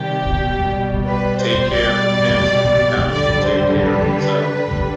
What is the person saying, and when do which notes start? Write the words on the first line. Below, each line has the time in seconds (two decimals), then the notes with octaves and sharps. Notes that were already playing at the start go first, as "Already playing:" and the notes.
Take care of the pence and the pounds will take care of themselves.
Already playing: C3 D#3 G3 G4
0.36 B2 G3
1.05 B4
1.39 C5
1.74 B2 G3 D5
3.11 D3 G3 D5
3.46 C5
3.81 B4
4.50 D3 G3